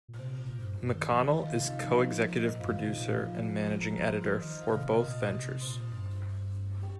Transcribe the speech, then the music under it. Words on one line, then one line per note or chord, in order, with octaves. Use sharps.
McConnell is co-executive producer and managing editor for both ventures.
A#2
C3 C5
A#2
G2
G2
D#3
F3
D#3
D#5
D#3 F4 F5
C3 D#4 D#5
C3 F5
D#4 D#5
F3
C5
A#4
D#5
C5
A#2
G2 F4 F5
F3
D#3
C3 D#4 D#5
A#2
F4 F5
F3
A#4 A#5
C5 C6
C5 C6
F6
D#3 D#5 D#6
F5 F6
C3
F6
D#5 D#6
C6
A#2 D#5 D#6
C3
D#6
A#2 C5 C6
G2
G4 G5